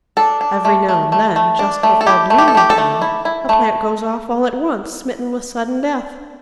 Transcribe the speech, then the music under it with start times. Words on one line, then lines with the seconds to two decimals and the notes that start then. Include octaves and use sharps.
Every now and then, just before blooming time, a plant goes off all at once, smitten with sudden death.
0.17 D4 A4
0.41 D4
0.65 A3
0.89 A3
1.12 A3
1.36 A3
1.59 D4
1.83 A3
2.01 A4
2.07 E4 G4
2.30 A3
2.38 G4
2.48 A4
2.55 A3 G4
2.70 A4
2.78 A3
3.02 E4
3.25 E4
3.49 A3